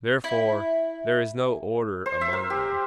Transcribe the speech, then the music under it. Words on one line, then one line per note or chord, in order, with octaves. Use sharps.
Therefore there is no order among them.
E4
C5
E5
A#4
G4